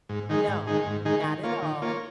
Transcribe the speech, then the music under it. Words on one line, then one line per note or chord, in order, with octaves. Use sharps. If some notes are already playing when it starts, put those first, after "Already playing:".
No, not at all.
G#2
D#3 G#3 D#4 G#4
G#2
D#3 G#3 D#4 G#4
G#2
D#3 G#3 D#4 G#4
D#3
A#3 F4 C#5
D#3
A#3 F4 C#5